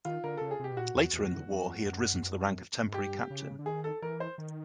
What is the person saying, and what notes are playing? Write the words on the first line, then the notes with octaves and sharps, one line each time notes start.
Later in the war he had risen to the rank of temporary captain.
D#3 F4
D3 A#4
C#3 A4
G#4
C3 G4
B2
A#2 F#4
E2
E2
E2
F2
F#2
G#2
G2 G4
C#3
D3
D#3 G#4
A4
E3 A#4
C5
D#3